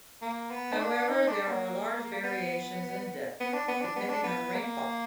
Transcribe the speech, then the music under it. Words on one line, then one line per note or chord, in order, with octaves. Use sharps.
However, there are large variations in depth depending on the rainfall.
A#3
B3
D#4
D4
D#4
D4
A#3
B3
B3
D4
B3
D4
B3
D4
B3
A#3